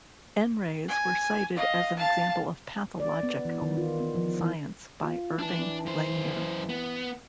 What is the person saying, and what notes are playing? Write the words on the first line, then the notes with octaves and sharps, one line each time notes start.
N rays were cited as an example of pathological science by Irving Langmuir.
G#5
D#5 F5
F5 A5
D5
B3
E3
D#3
F4
B3
F3
E3
F4
E3 D4 A5
F#2 C5
B3